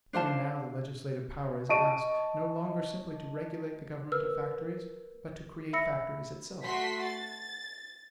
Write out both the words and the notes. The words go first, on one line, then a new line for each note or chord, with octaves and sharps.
Even now the legislative power is asked, no longer simply to regulate the government of factories, but to create factories itself.
D4 C5 F5 A5
D#5 A5 C#6 D7 D#7
A#4 B4 E6 F6
E5 B5 E6 A#6 C#7
A3 F#4 C6 B6
A6